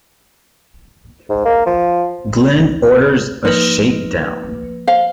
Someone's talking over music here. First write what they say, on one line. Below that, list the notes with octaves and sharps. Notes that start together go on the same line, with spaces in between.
Glynn orders a shakedown.
G#2
A#3
F3
F3 A#3 D#4 B4
C5 F5